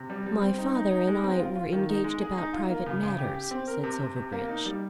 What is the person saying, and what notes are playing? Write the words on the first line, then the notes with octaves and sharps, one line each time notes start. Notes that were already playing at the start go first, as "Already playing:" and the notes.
"My father and I were engaged about private matters," said Silverbridge.
Already playing: C3
G3
G3
C4
D#4
D#4
D#4
G#3
C4
F4
F4
D#3
D#4
G#3
G#4
D#4
F4
A#3
C#3
C#3
G4
G4
C4
A#4
C3
C3
C3
A#3
D#4
G3